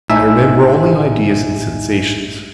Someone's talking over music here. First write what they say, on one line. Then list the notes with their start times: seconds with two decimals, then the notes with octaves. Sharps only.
I remember only ideas and sensations.
0.10 A#1 A2 D#4 E5 G#5 E6